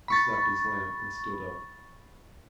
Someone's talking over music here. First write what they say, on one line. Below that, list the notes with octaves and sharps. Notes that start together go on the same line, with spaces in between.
He snapped his lamp and stood up.
B5 C#6 A6